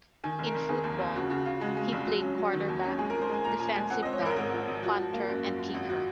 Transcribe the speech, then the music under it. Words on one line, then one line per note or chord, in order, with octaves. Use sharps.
In football, he played quarterback, defensive back, punter, and kicker.
D#3 G#5
F1
A#4
F1
D#3 G#4
D#2
F1
C#3 F#4
C#3 F#4
C#3 F4
G#3 F#4
G#3
F1
F#3
C#4
F#3
D#3
D#2
C#4
G#3 G#4
A#4
F3
C5
G#3 G#5
A#2 A#5
F3 G#5
G#3 G#5
C4 F#5
C4 D#5
C#5
G#1 A#4
G#2 A#4
F3
G#1
F3 F#4
F3
A#3
F#2
F#2
F#2
G#1 F#4
F#4